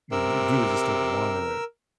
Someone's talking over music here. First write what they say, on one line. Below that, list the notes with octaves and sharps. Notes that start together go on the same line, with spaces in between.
you d you really just don't wanna
C3 A#4 E6